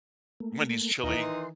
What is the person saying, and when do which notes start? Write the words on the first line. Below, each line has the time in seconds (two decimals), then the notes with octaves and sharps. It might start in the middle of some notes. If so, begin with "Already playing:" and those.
Wendy's chili,
0.40 A3 A#3
1.04 D#2 D#3 E3 D#4 B4 F5
1.21 C6